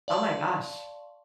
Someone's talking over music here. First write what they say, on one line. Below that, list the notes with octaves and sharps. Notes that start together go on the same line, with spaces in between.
Oh, my gosh.
D5 F5 A5 C6 C#6